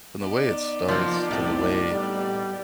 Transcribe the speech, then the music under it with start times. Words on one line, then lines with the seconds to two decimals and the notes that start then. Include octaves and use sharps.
from the way it starts to the way
0.21 B3 D#4 D5
0.88 F3 A#3
1.31 C2 A2
1.91 G3